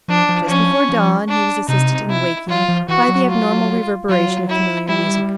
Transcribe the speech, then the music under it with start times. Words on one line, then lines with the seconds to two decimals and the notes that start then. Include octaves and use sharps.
Just before dawn he was assisted in waking by the abnormal reverberation of familiar music.
0.08 F3 D4
0.29 F3
0.48 C#4
0.89 F3
1.28 D4
1.68 C3 D#4
2.09 E4
2.48 F#3 F4
2.69 F3
2.88 E3 F#4
3.08 F#3
3.29 F4
4.09 F#3 F4
4.49 E4
4.88 G3 E4